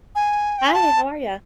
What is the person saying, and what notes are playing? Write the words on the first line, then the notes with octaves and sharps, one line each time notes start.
Hi. How are ya?
G#5
G5
G#5
A5